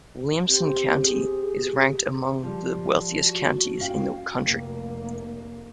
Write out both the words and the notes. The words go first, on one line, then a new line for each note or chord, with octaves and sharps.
Williamson County is ranked among the wealthiest counties in the country.
C4 G4
G#4
F3 G3
F#4
C#4 F5 G5
F1 A#3